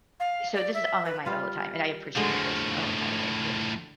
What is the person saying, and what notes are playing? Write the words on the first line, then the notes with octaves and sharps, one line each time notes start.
so this is on my mind all the time, and I appreciate this, oh, by the way, too.
F5
D5
E5
B4
G3 F4 B4
A2 D3 F3 G#3 F#4